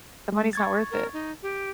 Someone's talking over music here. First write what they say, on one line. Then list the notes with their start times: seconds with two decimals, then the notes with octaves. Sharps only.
the money's not worth it.
0.32 G#3
0.53 C#6 G#6 A6
0.91 A#4
1.13 D#4
1.42 G4